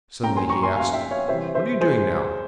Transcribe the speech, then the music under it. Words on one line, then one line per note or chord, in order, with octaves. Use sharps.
Suddenly he asked: "What are you doing now?"
A#2 F3 A#3 C#4 G5 A#5
G#5 C6
A#5 C#6
G#5 C6
F5 G#5
E5 G5
C#5 F5
C3 E3 G3 C5 E5
C5 E5
G#4 C5